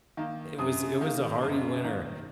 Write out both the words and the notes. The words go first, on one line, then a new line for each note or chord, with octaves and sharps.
it was it was a hearty winter,
D#3 A#3
F#2 D#6
D#3 A#3
F#2
D#3 A#3